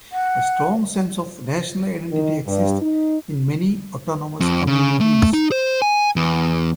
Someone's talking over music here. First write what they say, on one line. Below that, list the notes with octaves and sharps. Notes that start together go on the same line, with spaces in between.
A strong sense of national identity exists in many autonomous communities.
F#5
D#3
G2
D#4
F2
C#3
A3
D#4
C5
G#5
E2